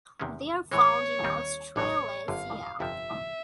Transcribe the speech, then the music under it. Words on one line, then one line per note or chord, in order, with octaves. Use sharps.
They are found in Australasia.
E2 C3 D#3 G#3 C#4
A2 E3 G#3 C#5
D#2 D#3 G3 C4 D#4
A1 A2 F#3 C#5
G1 F#2 D3 F5
G1 F2 C3 F3 E5